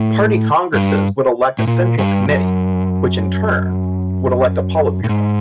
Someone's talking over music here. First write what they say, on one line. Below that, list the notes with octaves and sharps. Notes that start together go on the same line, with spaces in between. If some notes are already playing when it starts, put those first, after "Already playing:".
Party Congresses would elect a Central Committee which, in turn, would elect a Politburo.
Already playing: A2
G2
A2
A#2
G2
F#2
A2
G#2